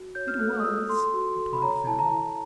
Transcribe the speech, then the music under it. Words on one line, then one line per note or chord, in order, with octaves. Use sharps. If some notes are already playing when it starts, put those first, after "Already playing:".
"It was," replied Fan.
Already playing: F#4
C#5 G6
F6
A4 F#6
D#6
F4 E6
A4 C6
F#4
A4
B5
C#5 A#5
E4 A5
A#5
E4